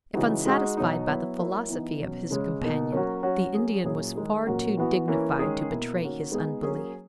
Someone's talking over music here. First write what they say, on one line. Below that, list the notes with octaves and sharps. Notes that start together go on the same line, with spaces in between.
If unsatisfied by the philosophy of his companion, the Indian was far too dignified to betray his unbelief.
C#3 E3 G#3 D#4 F#4
G#3 D#4 F#4
B2 F#3 B3 D#4
F#3 B3 E4
F#3 A#3 E4
E3 B3 D#4
B2 F#3 C#4
C#3 G#3 C#4
B2 A#3 D#4
F#3 A#3 C#4 F#4
F#3 C#4 F#4
F#3 C#4 G#4
A#2 F#3 C#4 E4 G#4
D#3 G#3 D#4 G#4
A#2 F#3 A#3 C#4 F#4
E3 B3 F#4
E3 A#3 C#4
D#3 G#3 C#4 G#4
B2 A#3 E4
D#3 A#3 C#4 F#4
G#3 B3 D#4 G#4
F#3 A#3 C#4 G#4